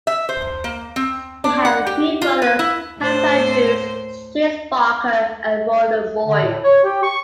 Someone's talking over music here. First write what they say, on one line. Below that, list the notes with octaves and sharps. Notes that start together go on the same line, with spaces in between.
He had three brothers, Thomas Andrews, James Barker and Roland Boys.
E5
C5
A#3
C4
D4
F#5
G4
F4
B4
E4
A2 C5
D3
A2
C#5
G4
C#6